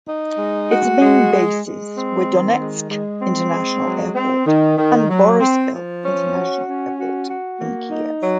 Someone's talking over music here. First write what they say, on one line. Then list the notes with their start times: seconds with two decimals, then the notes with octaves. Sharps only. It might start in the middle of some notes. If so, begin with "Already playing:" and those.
Its main bases were Donetsk International Airport and Boryspil International Airport in Kiev.
0.06 D#4
0.38 G#3
0.69 F#4
1.01 G#3
1.32 G#3
1.64 G#3
1.95 C4
2.27 D#3
2.58 G#3
2.89 G#3
3.21 C4
3.52 G#3
3.84 F#3
4.15 C4
4.46 D#3
4.78 D#3
5.09 F#3
5.40 C4
5.72 F3
6.04 C#4
6.35 F#4
6.66 C#4
6.97 F#4
7.29 F#4
7.60 A#3
7.92 D#4
8.23 F#3